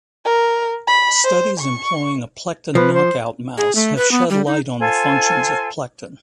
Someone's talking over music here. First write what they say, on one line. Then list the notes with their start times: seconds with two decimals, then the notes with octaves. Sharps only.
Studies employing a plectin knockout mouse have shed light on the functions of plectin.
0.25 A#4
0.87 B5
1.24 C5
1.59 C#6
2.75 F3 B4
2.94 C5
3.57 G#4
3.75 A3
3.97 B4
4.12 B3
4.30 G3
4.46 D#4
4.79 F4 A4 C5 G#5